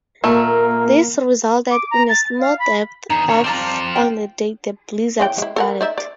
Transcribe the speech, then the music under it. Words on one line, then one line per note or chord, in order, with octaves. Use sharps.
This resulted in a snow depth of on the day the blizzard started.
A#2 A3 A#3 A#4
D6
A#5
A6
F5
B5
E2 D#4 G#4
D2 C#5
G3 C4 F4 A5 A#5
G5
C#3 E3 G5
G#3 E4
A4 A#4 F#5
D#4 D5 E5
D5